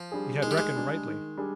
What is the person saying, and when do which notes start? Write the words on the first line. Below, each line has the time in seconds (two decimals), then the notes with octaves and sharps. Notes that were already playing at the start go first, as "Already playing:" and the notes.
He had reckoned rightly.
Already playing: F3
0.11 G3 D4 G#4
0.43 D#3 G#3
0.51 G3
0.57 G#3
0.75 G3 D4 G#4
1.05 D#3
1.37 G3 D4 G#4